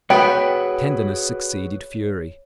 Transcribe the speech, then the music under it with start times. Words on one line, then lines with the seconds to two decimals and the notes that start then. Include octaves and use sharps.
Tenderness succeeded fury.
0.10 B3 F#4 G#4 B4 C#5 G5 D7